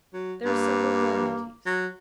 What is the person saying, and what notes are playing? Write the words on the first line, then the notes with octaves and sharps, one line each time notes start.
There are several varieties.
F#3
G2 A#3
F#3